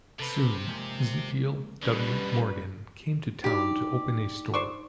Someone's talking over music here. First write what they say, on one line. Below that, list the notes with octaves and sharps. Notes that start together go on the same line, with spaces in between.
Soon Ezekiel W. Morgan came to town to open a store.
C3 A4 B4
F3 G#3 A#3
B2 D3 G3 C#4 D4 B4
D4 D#4 G4 D5
C5 D5 C#6